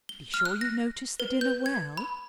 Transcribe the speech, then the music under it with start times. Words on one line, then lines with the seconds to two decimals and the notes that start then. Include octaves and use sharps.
Be sure you notice the dinner well.
0.09 G7
0.34 F6
0.45 F#6
0.61 A#6
1.20 B4
1.41 G6
1.66 G#6
1.97 B5